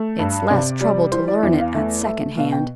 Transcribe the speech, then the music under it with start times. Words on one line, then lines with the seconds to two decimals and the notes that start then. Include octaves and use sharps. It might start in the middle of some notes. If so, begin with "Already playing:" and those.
It's less trouble to learn it at second hand.
Already playing: A3
0.19 G2
0.51 C3 D5
0.81 G3
1.12 E3 C5
1.28 D5
1.43 E2 E5
1.59 F5
1.74 A3 E5
2.06 A3 E5
2.37 B2 F5
2.52 G5